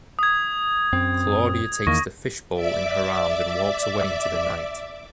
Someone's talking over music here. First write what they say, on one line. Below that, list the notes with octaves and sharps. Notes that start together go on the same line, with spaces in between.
Claudia takes the fishbowl in her arms and walks away into the night.
D#6 G#6
F#2 C4
E2 D#3 A#3 C#6 A#6
D5 E5 D6